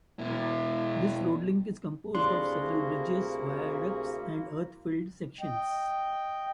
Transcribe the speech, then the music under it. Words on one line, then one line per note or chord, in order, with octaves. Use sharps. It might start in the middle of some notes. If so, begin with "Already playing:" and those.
This roadlink is composed of several bridges, viaducts and earth-filled sections.
B2 E4
D2 C3 A#3 D4 E4 F#4 G#4 C6
D#5 G5